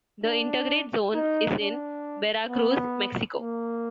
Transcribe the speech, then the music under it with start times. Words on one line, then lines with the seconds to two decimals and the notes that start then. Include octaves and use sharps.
The intergrade zone is in Veracruz, Mexico.
0.24 D4
1.14 D#4
1.59 D4
2.49 B3
3.40 A#3